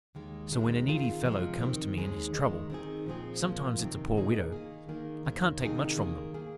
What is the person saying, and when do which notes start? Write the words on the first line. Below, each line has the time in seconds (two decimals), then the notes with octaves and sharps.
So when a needy fellow comes to me in his trouble--sometimes it's a poor widow--I can't take much from them.
0.15 D#2 D#3 G#3
0.51 D#2 D#3 G#3
0.88 D#3 C4 F4 G#4
1.24 C3 F3 G#3
1.61 D#3 C4 D#4
1.98 D#2 D#3 G#3 D#4 G#4
2.34 D#2 D#3 G#3
2.70 D#3 C4 D#4 G#4
3.06 A#2 F3 C4 G#4
3.43 A#2 F3 A#3
3.79 C3 D#3 C4
4.16 A#2 A#3 D#4 G#4
4.52 D#3 A#3 G#4
4.89 D#3 A#3 G#4
5.25 D#2 D#3 A#3
5.62 C3 D#3 A#3 D#4 G#4
5.98 D#3 A#3 G#4
6.34 D#3 A#3 G#4